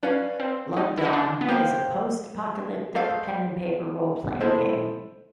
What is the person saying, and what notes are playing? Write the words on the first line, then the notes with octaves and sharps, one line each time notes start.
Blood Dawn is a post-apocaclyptic pen and paper roleplaying game.
C#4 B4 D5 F5
C4
D#4
E4
D#4
D4
B3
A#3 G4 C5 F5
A3 G#4 C5 F5
G#3 E4 A4 C5 E5